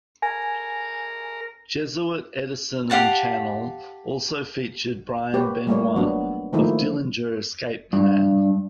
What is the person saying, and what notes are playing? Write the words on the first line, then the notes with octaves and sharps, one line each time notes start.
Jesuit, Edison, and Channel also featured Brian Benoit of Dillinger Escape Plan.
A#4 G#5
G4 F5 F#5 A5
A#3 G4 B4 C#5
G3 A3 A#3 C#5
F#3 B3 D4
D#3 F3 A3 A#3 D#4 E4
G2